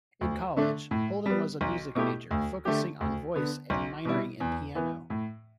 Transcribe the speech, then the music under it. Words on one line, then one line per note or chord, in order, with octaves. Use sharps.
In college, Holden was a music major, focusing on voice and minoring in piano.
D2
D3 A3 D4
A2
G3 B3
B1
B2 A3 E4 G4
D2
D3 A3 G4
D2
D3 B3
B1
B2 G3 E4
E2
E3 B3
A2